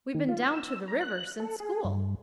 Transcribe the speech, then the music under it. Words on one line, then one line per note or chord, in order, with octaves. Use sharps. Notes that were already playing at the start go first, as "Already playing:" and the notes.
"We've been down to the river since school."
D#3
F4
E6
A#5
F#6
A4
G#4
G2